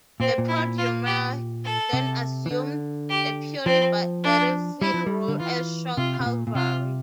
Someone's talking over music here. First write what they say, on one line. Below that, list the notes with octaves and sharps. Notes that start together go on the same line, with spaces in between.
The "prodromoi" then assumed a purely battlefield role as shock cavalry.
A#2 C4
A#2
E4
F4
G4
A4
C3
E3
D3
G4
F3 C4
D4
G3 E4
F3
G3
D3
E3 F4
C3 F4
C3
A#2
A#2
C3 F4